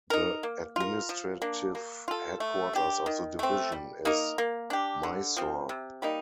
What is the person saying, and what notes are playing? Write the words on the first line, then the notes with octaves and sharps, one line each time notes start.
The administrative headquarters of the division is Mysore.
D#4 A#4
A#3
F4 A#4
F3
A#3 D4
A#3
F4 A4
A3
D4 G4
D#3
A3 C4
G3
A#3 D#4 A#4
A#3
D4 G4
D3
F3 C4
C3
G3 A#3 D#4